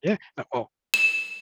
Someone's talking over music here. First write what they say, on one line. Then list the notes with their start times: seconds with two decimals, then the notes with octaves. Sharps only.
Yeah, uh, well,
0.94 E7